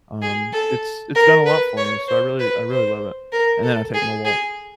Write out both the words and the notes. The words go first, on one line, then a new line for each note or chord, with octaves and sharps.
um, it's it's done a lot for me, so I really I really love it, and then I take my walk.
G#4
A4
A#4
B4
C#5
C5
B4
C5
A#4
A4
G#4
G#4